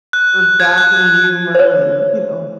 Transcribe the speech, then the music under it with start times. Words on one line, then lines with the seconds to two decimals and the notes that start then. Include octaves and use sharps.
or bathroom humor, and, you know
0.13 F#6
0.60 G#6
0.78 F#6
1.55 C5 C#5